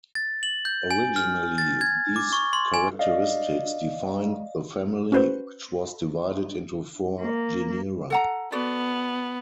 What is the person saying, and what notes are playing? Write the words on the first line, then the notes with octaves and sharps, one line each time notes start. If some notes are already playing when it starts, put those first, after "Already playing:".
Originally, these characteristics defined the family, which was divided into four genera.
A6
F#7
G6
G#5
F6
A6
G#6
D6
C#6
C6
G#5
D5 D#5 F5
C#4 F#4 B4 C5
A#3
A4 F#5 A#5
B3 F#4 A4 D5